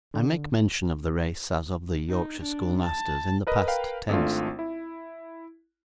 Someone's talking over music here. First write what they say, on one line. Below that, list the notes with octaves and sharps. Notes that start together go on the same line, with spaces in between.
I make mention of the race, as of the Yorkshire schoolmasters, in the past tense.
D3
D#4
D4
A5
A#4 B4 D#5
A#4 B4 F5 G5
G#1 A3 D4 F4
E4